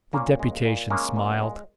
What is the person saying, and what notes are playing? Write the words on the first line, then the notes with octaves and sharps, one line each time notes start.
The deputation smiled.
A#2 A#3 C#4
G#3
A#2
G#3 A#3 C#4
A#2
G#3